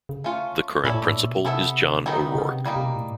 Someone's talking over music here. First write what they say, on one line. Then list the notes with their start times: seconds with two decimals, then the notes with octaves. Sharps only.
The current principal is John O'Rourke.
0.09 C#3
0.24 A3 C#4 F4
0.84 A#2 C#4 E4 A4 D5
0.95 A2
1.05 G#2
1.15 A#2
1.30 B2
1.45 C3 B3 E4 A4 C#5 E5
2.05 D3 D#3 F#3 B3 D#4
2.35 C#3
2.50 C3
2.65 C#3 G3 A#3 D#4
2.76 C3
2.86 B2
2.96 A2